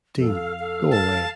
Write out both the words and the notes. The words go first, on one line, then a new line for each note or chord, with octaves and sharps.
Dean, go away.
F2 A4 F5
A4
A5